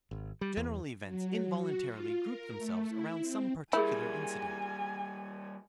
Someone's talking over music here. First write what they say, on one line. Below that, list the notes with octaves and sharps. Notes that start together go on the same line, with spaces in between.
General events involuntarily group themselves around some particular incident.
G#1
G3
E2
F#3
F#4
F4
A#4
A3
E4
C4
G3 A#3 E4 G#4 A#4 C#5 G#5